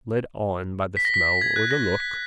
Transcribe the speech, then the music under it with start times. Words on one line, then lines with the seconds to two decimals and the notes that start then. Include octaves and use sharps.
Led on by the smell or the look.
0.97 B6
1.05 A#6
1.14 B6
1.41 G#6
1.56 F#6
1.71 A#6
2.00 B6